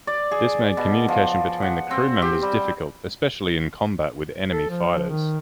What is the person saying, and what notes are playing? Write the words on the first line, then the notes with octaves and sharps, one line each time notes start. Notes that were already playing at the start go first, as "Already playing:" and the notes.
This made communication between the crew members difficult, especially in combat with enemy fighters.
D5
G#4
B2
F3
F#5
C4
G4
G3
A4
F3
D#3